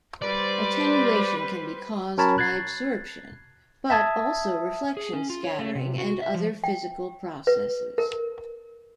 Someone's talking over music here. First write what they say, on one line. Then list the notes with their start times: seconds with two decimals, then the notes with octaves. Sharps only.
Attenuation can be caused by absorption, but also reflection, scattering, and other physical processes.
0.22 G3 B4 C5 D5 C6
2.18 F#3 C#4 A#4 C#5 A5 B5
2.38 F#6 G#6 A6 C7
3.90 E5 A5 D#6 G#6
4.97 G#4
5.13 C#4
5.30 F4
5.44 C#5
5.59 A3
5.75 C3
5.98 F#4
6.22 E5
6.34 F3
6.64 G5
7.47 B4
7.98 A#4